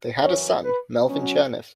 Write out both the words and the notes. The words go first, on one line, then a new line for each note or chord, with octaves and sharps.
They had a son, Melvin Chernev.
F#2 E3 C#4 C#5
B4
B2 F#3 C#4